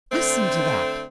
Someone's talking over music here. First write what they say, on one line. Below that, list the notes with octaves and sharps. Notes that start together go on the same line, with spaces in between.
Listen to that!
D3 A3 C4